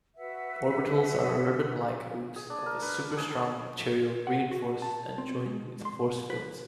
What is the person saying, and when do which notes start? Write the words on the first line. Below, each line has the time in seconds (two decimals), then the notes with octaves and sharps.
Orbitals are ribbon-like hoops of a super-strong material reinforced and joined with force fields.
0.17 F#4 B4 E5 F#5
2.36 G#4
2.50 D4
2.66 A#4
2.82 B4
2.97 A5
3.17 G#4
3.30 A4
4.27 F#5
4.51 F#4
4.82 A5
5.18 C4
5.46 G#3
5.85 C6
6.30 B4